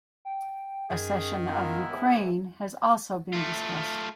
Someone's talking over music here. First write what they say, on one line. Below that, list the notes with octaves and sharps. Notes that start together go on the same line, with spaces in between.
Accession of Ukraine has also been discussed.
G5
F#2 D#3 G#4
G#3 B3 E4 F4 A#4
A2 C3 E3
A3 F4